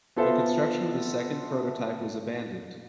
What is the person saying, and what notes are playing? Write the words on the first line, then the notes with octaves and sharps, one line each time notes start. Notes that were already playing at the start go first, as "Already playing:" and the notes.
The construction of the second prototype was abandoned.
B3 F4 A4 C5 E5 G#5